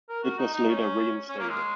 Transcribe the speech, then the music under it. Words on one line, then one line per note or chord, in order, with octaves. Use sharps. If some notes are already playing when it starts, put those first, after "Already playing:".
It was later reinstated.
A#4
F#4
D#4
D#4
C#4
C#4
A#3
G#3